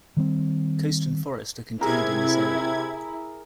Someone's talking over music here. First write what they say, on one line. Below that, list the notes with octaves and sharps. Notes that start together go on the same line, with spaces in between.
Coast and forest are contained in this area.
D#3 G3 C4
C3 E4 G#4 A#4 G#6